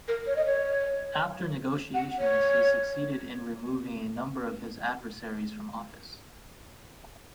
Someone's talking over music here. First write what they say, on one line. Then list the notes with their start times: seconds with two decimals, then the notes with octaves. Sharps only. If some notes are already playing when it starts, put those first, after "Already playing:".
After negotiations he succeeded in removing a number of his adversaries from office.
0.08 A#4
0.27 C#5
0.36 D#5
0.45 C#5
1.94 F#5
2.18 C#5